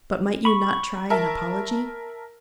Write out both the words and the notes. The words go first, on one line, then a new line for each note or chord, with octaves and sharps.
"But might you not try an apology?"
B5 C#6
A#4 E5 A5